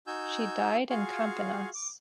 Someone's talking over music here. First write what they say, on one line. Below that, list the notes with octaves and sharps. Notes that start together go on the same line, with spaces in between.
She died in Campinas.
D#4 F#4 G#5 E6 G6
F4 F#4 G#4 F5 G#5 C#6
D6